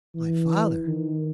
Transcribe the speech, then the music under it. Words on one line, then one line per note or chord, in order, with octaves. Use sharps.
"My father!"
E3
D#3